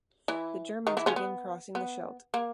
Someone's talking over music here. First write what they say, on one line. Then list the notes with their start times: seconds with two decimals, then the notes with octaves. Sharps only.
The Germans begin crossing the Scheldt.
0.28 E3 E4
0.87 D#3 D#4
0.97 E3 E4
1.06 C#3 C#4
1.16 B3
1.75 B3
2.34 A#3